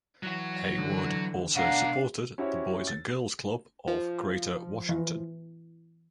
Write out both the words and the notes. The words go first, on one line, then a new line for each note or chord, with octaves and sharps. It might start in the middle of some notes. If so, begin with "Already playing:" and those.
Hayward also supported the Boys and Girls Club of Greater Washington.
E3 F#3 F#4
D3 E3
B2 D4 A#4 F5 F#5
C#4 E4 F#4 G4 C5 C#5
A6
F3
E3